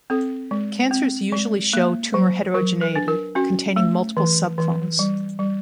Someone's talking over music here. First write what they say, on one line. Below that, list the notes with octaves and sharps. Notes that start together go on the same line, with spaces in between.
Cancers usually show tumour heterogeneity, containing multiple subclones.
C4 A4
G#3
C4
G#3
A#3
F#3
F#3 A#4
B4
D4
A#4
C#4 F#4
A3
E3
E3
G3
G3